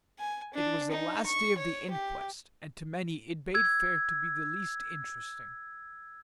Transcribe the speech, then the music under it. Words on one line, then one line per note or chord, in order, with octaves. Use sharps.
It was the last day of the inquest, and to many it bade fair to be the least interesting.
G#5
D4
D#4
C#6
C#5
G4
E6 G#6